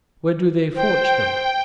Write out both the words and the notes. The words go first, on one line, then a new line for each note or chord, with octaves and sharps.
Where do they forge them?
C5 G5